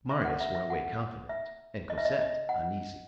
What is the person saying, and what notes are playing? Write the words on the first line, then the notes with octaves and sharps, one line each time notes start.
Marius went away confident, and Cosette uneasy.
E5
F#5
E5
E5
F#5
E5
D#5
E5
D#5
E5
D#5
F#5